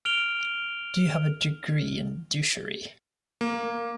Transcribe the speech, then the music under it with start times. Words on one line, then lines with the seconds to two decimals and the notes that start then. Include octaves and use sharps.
Do you have a degree in douchery?
0.05 F6 D7 F7 G7
3.41 A#3